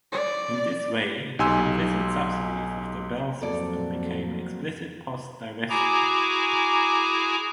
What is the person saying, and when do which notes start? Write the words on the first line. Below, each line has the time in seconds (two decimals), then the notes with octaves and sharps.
In this way, the implicit subsidies of the Bell System became explicit post-divestiture.
0.12 D5
1.39 B1 D#4 G4 G#5 C6 E6
3.42 F2 G#2 F#3 A#3 C4 A4 D5
5.70 E4 F#4 G#4 G#5 A#5 D6